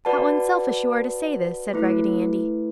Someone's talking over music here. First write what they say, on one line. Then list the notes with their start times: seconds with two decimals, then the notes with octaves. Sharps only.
"How unselfish you are to say this!" said Raggedy Andy.
0.05 F#4 B4 D5 F#5 A5
1.74 A3 E4 B4